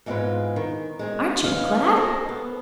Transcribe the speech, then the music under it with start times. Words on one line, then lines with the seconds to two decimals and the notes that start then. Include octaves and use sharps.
Aren't you glad?
0.06 E2 G#2 G#3 C4 F4 B4
0.56 D#3
0.99 G#3 C4 G#4
1.43 D#4 B4 C#5 F5
1.94 D#4 G4 A4 A#4 C5 D#5
2.29 B3